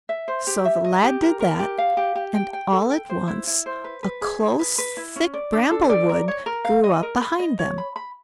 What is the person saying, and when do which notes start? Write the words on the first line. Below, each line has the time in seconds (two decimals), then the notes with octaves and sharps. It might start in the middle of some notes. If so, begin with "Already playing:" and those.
So the lad did that, and all at once a close, thick bramble-wood grew up behind them.
0.09 E5
0.28 C5
0.47 G4
0.65 E5
0.84 D#5
1.03 G4
1.22 A#4
1.40 A#4
1.59 G4
1.78 F5
1.97 G4
2.15 G4
2.35 G5
2.53 G5
2.72 A4
2.90 G5
3.10 C5
3.28 E4
3.47 E4
3.66 C5
3.84 B4
4.03 B4
4.21 G#4
4.40 D#4
4.59 B4
4.78 B4
4.97 E4
5.16 C#4
5.34 D5
5.53 D4
5.71 A4
5.89 D5
6.09 A#4
6.28 C#5
6.46 A#4
6.65 F5
6.84 D#5
7.03 A#4
7.22 B5
7.39 D#5
7.59 C#5
7.78 B5
7.96 B5